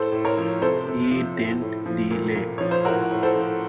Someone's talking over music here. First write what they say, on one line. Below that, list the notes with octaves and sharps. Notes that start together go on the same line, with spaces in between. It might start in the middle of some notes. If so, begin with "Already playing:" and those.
He didn’t delay.
Already playing: A2 A4 C5
A2
A#4 C#5
F3
C3 A4 C5
C3
F3
A2
A2
F3
A#2
A#2
F3 C#5
C5
A2 F#4 A#4
A2
A4 C5
F3